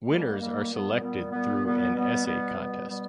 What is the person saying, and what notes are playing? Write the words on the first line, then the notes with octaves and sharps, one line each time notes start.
Winners are selected through an essay contest.
D#3 G3 A#3
D#3 G3 A#3
A#2 G3 B3
A#2 G3 B3
A#2 G3 B3
A#2 G3 B3
B2 G3 B3
B2 G3 B3
B2 G3 B3
B2 G3 B3